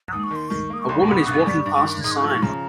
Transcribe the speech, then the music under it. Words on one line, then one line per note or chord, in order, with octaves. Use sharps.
A woman is walking past a sign.
D#2 D#6
C#6
D#3
C6
D#3 C#6
A#3 D#6
C#6
C2 C6
C#6
C3 C6
C#6
G2
G3
G2
D#3
G#2 D#6
C6
C#6
F3
C#6
C#3 A#5